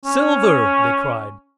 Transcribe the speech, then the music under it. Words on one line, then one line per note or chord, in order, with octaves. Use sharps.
"Silver!" they cried.
C#4